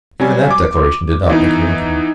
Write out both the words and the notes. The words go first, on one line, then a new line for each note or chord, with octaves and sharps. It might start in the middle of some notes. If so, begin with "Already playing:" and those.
Even that declaration did not make her look at him.
F#3 G3 G#5
D6
E3 B3 D#4